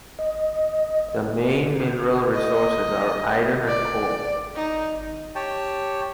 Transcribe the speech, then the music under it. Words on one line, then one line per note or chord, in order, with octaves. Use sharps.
The main mineral resources are iron and coal.
D#5
D#5
D5
D#4
G4 C#5 G5 A5